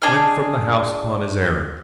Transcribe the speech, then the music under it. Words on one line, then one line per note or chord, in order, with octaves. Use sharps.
He went from the house upon his errand.
D4 G#4 D#5 F5